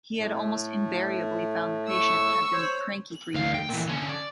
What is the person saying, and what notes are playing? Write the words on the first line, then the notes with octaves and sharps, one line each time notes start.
He had almost invariably found the patient had been cranky for years.
A2 A3
C#6 E6
C5 C#5
D2 F5
G5
A#2 E3
D3 C#4
D5